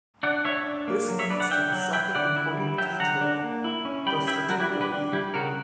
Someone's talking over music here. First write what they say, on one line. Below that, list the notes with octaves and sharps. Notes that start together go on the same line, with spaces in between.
This leads to the second important detail, the stratigraphy.
D4 D5 F#5
D4 C#5 E5
D4
A#3
F#3
C#5 E5
D4 B4 D5
D5 F#5
D4 E5 G5
F#3
E4 E5 G5
D3 D5 F#5
E4
G3
F#3 E5 G5
D3 F#5 A#5
D4
A#3
E4
C#4
G3 G5 B5
E4 E5 G5
G3 F#4 A#4
E4 G4
D4
G4 B4
D4
G3 E4 G4
C#3 F#4 A#4